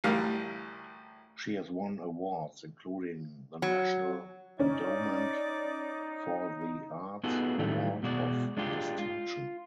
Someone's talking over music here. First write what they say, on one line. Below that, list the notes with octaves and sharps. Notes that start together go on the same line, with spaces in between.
She has won awards including the National Endowment for the Arts Award of Distinction.
A1 D2 G3 A#4 F5
F#3
C#4 D#4 D5
B3 D#4 F4 F#4 G#4 A4
A2 D#3 F#3 G3 A3
B2 G#3 F#4 D5
G#3 D4 F4 G4
F4